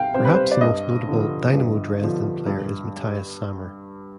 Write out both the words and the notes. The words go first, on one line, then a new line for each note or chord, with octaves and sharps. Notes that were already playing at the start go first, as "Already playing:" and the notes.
Perhaps the most notable Dynamo Dresden player is Matthias Sammer.
Already playing: C2 G3 F5 G5
C3 G3 C5
B4
C5
D5
G2 D#5
D3 F3
G2
D3 F3
G2